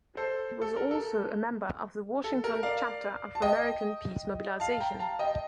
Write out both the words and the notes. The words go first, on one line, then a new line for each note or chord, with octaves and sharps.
He was also a member of the Washington Chapter of American Peace Mobilization.
A4 C5
A4
A#4
A4
A4
A#4
D5 F5
A5
D#5 G5
F5 A5
G5 A#5
F5 A5
D#5 G5